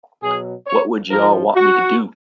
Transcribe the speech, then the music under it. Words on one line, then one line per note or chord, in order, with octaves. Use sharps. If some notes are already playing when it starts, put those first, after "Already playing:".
What would y'all want me to do?
B2 F#3 G#4
C#5
G#2 F3 A#4
F#4